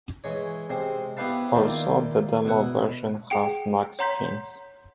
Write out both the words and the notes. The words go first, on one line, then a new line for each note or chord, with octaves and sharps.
Also, the demo version has nag screens.
E3 G#3 C#5
C3 G#3 C4
B3 E4 G4 B4 F5 A5
D#3 A#3 E4 F4 D5
B2 E4 F#5
G#4 F#5 G5 D7
C#5 F#5 A#5 C6 G6 B6